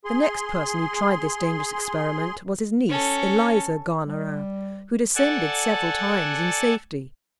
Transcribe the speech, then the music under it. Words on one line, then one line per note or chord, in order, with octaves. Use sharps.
The next person who tried this dangerous experiment was his niece, Eliza Garnerin, who descended several times in safety.
G#4 C6
C#4 A4
G3
A4 D5 F#5 G#5 A5